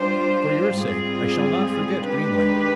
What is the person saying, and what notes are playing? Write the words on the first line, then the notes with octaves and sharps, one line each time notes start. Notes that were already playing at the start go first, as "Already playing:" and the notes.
"For your sake I shall not forget Greenland."
Already playing: G3 D4 F4 C5
G#2 G3 C4 F4 G#4
D#3 G#3 D4 G4 B4